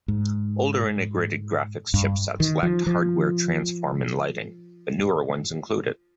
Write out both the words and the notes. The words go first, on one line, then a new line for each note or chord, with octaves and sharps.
Older integrated graphics chipsets lacked hardware transform and lighting, but newer ones include it.
G#2
G2
D#3
F3
F3